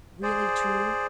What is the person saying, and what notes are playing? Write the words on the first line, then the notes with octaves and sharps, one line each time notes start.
"Really true?"
G#4 C5 D5